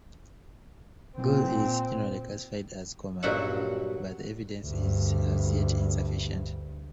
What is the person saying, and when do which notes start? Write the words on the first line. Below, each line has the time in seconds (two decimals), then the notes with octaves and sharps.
Gule is generally classified as Koman, but the evidence is as yet insufficient.
1.18 A#2 C4
3.23 G2 A#2 F#3 F#4 E5 F#5
4.65 D2 G2